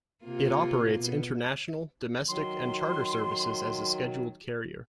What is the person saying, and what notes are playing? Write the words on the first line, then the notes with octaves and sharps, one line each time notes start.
It operates international, domestic and charter services as a scheduled carrier.
C3 A#3 F4
B2
D#3 F#3 C6